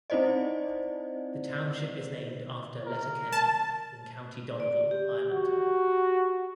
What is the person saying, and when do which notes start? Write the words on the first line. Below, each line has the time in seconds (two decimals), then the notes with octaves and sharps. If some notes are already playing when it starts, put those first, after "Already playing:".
The township is named after Letterkenny in County Donegal, Ireland.
0.10 C4 D#4 E4 C5 D5 D#5
2.86 A#4
3.32 A5
4.60 D5
4.91 G4
5.31 F#4